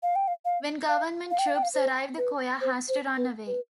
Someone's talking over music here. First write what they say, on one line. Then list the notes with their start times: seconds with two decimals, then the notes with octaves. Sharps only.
When government troops arrive the choir has to run away.
0.03 F5
0.16 G5
0.28 F5
0.45 F5
0.89 F5
1.31 F5
1.39 G5
1.47 F5
1.55 G5
1.63 F5
1.74 C5
2.18 B4
2.61 C5
2.89 C5
3.17 B4
3.47 B4